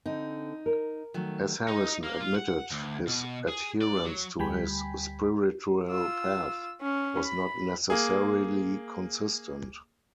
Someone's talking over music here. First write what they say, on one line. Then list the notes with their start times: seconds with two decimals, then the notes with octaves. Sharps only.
As Harrison admitted, his adherence to his spiritual path was not necessarily consistent.
0.06 D3 C4 D#4
0.66 A#4
1.14 D#3 F#3 A3
1.68 D#4
2.04 A#3
2.20 F4
2.35 F#5
2.71 D2
3.07 B2
3.48 G#4
3.81 D5
4.05 F#3
4.39 D2 G3 G5 G#5 B5 B6
5.89 F4 E6
6.81 C#4
7.24 B5
7.90 A#3 G#4